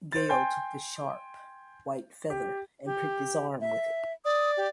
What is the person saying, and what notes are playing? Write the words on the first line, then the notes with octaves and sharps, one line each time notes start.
Gale took the sharp white feather and pricked his arm with it.
C5 A6
G5 G#5 C6 G6
G4
G4
E5
D5 D#6
G4